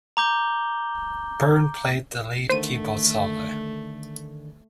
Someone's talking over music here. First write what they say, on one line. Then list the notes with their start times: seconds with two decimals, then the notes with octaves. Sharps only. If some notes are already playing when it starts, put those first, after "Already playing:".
Byrne played the lead keyboard solo.
0.17 A#5 D6 G6 G7
2.50 D3 D#3 A3 C5 D#7